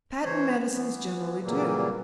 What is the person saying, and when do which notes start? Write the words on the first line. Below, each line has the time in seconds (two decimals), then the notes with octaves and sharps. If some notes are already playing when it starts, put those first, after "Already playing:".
Patent medicines generally do.
0.24 E3 C5 C#5
0.70 E3 B3
1.42 A#2 C#3 E3 F#3 G3 A#3